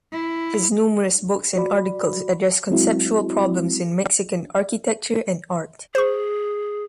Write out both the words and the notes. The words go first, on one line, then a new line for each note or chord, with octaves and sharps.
His numerous books and articles addressed conceptual problems in Mexican architecture and art.
E4
F#4 D5 B5
F#3 G#3 C4 E4 F#4
G#4 C5 C#6